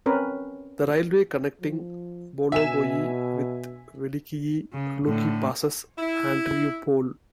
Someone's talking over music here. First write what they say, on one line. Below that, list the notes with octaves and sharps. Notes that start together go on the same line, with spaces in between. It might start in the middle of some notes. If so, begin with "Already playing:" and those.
The railway connecting Bologoye with Velikiye Luki passes Andreapol.
C4 C#4 A#4 B4
F3
B2 E5 G#5 E7
C#3
A2 D3
E4